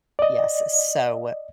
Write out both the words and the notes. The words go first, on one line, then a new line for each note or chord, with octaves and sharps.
Yes, so,
D5 D#5